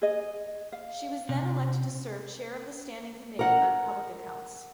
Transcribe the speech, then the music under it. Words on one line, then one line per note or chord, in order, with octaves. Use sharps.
She was then elected to serve chair of the Standing Committee on Public Accounts.
G#4 D#5
F5
C3
A#4 F#5